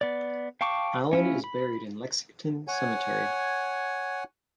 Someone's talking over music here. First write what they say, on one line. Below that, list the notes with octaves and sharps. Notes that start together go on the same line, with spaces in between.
Allen is buried in Lexington Cemetery.
B3 D5
F5 G5 A5 C#6 D6
C#4 E4 F4
B5
C#5 F#5 G#5